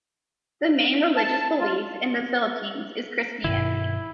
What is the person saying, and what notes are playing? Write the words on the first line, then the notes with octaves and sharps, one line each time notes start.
The main religious belief in the Philippines is Christianity.
A5
F4
G2 B2 D#3 E4